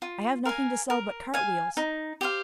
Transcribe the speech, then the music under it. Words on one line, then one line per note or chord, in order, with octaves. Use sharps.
I have nothing to sell but cart-wheels.
F4
A#4 F5 G#5
A#4
F5 G#5
D#4
G4 C5 F5